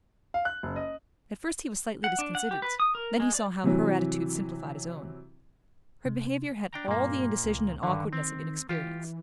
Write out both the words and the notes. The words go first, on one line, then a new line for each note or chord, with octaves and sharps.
At first he was slightly disconcerted; then he saw how her attitude simplified his own. Her behaviour had all the indecision and awkwardness of inexperience.
F5
F#6
F#1
D#5
F#5
D4
F#5
G4
B4
D#6
A#4
G#3
D5
C3 E3 F#3
C3
D4 G5 A#5
G2 A#2 A#3
C#2
G2 D3 D#3
C4
E3 F4 G4